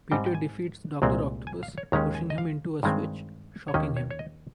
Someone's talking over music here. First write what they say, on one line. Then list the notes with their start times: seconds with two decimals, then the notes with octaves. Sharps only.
Peter defeats Doctor Octopus, pushing him into a switch, shocking him.
0.11 G#2 G3 C4 G5
0.26 G5
0.35 G#5
1.02 C2 A#2 G#3 C4
1.47 G#5
1.63 F5
1.78 C#5
1.92 D#2 D#3 G#3 C#4 A#5
2.15 G#5
2.30 D#5
2.38 F5
2.83 G2 D#3 G#3 C4
3.68 C#5
3.74 D#2 D#3 A#3 C#4 D#5
3.97 C#5
4.11 C#5
4.19 D#5